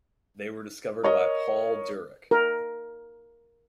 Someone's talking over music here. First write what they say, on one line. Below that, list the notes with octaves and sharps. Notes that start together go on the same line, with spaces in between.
They were discovered by Paul Dirac.
A#4 C#5 D#5
A#4